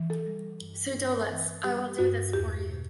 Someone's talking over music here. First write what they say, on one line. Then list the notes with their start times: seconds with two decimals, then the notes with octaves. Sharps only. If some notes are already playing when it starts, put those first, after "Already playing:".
Pseudolus: I will do this for you.
Already playing: E3
0.10 A4
0.27 G3
0.61 G2
0.96 G2
1.30 E3
1.64 G3 G4
1.98 G2 F#4
2.33 E2 G4
2.69 B2